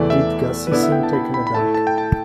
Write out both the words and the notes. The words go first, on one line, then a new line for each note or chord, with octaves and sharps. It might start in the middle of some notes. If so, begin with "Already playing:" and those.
Did Gussie seem taken aback?
Already playing: E2 E3 A3 E4 D5
E5
B4
D3 B3 E4 D5
E5
G5
A5
B5
B5
B5
A2 A3 E4 A5
A5
G5
A5